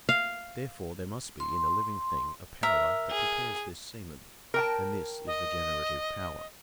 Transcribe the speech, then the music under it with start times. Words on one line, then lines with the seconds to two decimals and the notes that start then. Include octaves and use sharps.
Therefore there must be in the living thing a power that prepares this semen; and this is the generative power.
0.09 F5
1.40 C6
2.63 A#4 E5
3.11 G#4
4.54 A#4 G5 A5
5.27 D#5